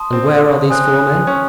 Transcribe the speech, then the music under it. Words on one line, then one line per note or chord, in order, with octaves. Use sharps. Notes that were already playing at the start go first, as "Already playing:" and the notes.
"And where are these four men?"
Already playing: A5 C6 D#6
C4
C4 G#5 D#6 F#6
C#4